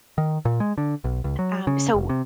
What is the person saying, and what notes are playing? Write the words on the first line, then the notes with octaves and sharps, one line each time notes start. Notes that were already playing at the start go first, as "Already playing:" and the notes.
um so,
D#3
A#2
G#3
D3
B1
C#2
F#3
C#3
F1
C3